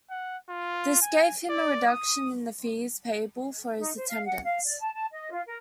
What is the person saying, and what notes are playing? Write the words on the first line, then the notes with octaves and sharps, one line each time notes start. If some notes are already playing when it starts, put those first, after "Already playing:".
This gave him a reduction in the fees payable for his attendance.
F#5
F4
G#5
D5
D#6
D#4
C5
F5
F#5
F5
D5
A5
A5
D#5
F4
A#4